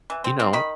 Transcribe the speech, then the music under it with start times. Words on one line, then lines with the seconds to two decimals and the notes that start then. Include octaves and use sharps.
you know,
0.10 E3
0.24 C4
0.40 C4
0.53 D#3 B5